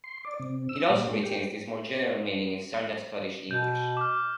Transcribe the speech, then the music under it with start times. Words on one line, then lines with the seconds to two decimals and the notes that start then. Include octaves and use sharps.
It also retains this more general meaning in standard Scottish English.
0.04 C6
0.25 D5
0.40 C3
0.69 E6
0.90 A#2
1.11 G#3
1.23 G4
3.51 B2 G6
3.97 D6 F6